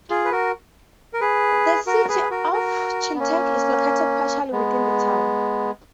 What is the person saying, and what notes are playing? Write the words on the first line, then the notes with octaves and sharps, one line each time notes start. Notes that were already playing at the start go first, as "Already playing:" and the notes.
The City of Chetek is located partially within the town.
F4 G#4
B4
F#4 A#4
A#4
G#4 B4
F#4 A#4
G#4 B4
F#4 A#4
F#4 A#4
B3
A#3 C#4
G#3 B3